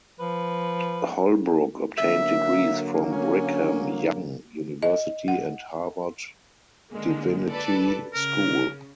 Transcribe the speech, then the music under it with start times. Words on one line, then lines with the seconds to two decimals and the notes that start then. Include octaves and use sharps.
Holbrook obtained degrees from Brigham Young University and Harvard Divinity School.
0.20 F3 B4
1.98 D3 F#3 A#3 E5
3.11 C#4
4.82 D#5
5.28 F#5
6.90 D3 G#3 A#3
7.49 A4 B4 D5
8.14 C#3 A#4